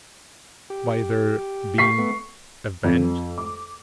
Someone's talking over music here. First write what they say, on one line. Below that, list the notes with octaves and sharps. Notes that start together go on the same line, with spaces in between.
By their being avenged?
G4
C#6 B6 C7
A3 B3
F2
D6